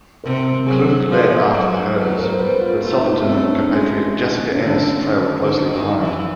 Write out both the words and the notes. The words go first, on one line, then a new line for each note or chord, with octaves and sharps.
Klüft led after the hurdles, but Sotherton and compatriot Jessica Ennis trailed closely behind.
C3 A#4
F#3 G#4
F3 A4
F#3
F#3 B4
A#4
C5
G3 B4
F4
A3 F4
E4
D#4
E4
A3 C4
C#4
D4
D#4
G#3 E4
D#3
C#4
D3 D4
D#3
D3 D#4
D#3
E3